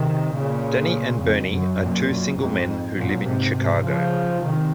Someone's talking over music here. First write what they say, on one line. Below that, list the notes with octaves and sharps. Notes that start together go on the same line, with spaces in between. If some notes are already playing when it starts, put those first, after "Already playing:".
Danny and Bernie are two single men who live in Chicago.
Already playing: C3 D#3
A#2 C#3
F2
F#2
F#2 A#2
F#2
F2 G#2
F#2 A#2
G#2 C3
G#2 C3
C#3 F3
C3 D#3